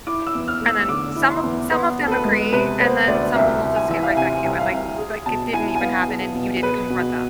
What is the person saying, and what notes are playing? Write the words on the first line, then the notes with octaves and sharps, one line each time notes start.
And then some of some of them agree, and then someone will just get right back to it, like like it didn't even happen and you didn't confront them.
E4 D6
E6
E2
F6
A3
E6
E6
D3 D6
E4
C6
E2
B3 C6
D2
A4
B4
G#3
C3 B4
B3 C5
D2 D5
C2 E5
C2
G#5
E3 E5
F5
C3 G#5
C2
F5
C2
G#4
B2 A5
E4 G#5
G#5
B3 F5
G#4
B2
G#4 B4
B2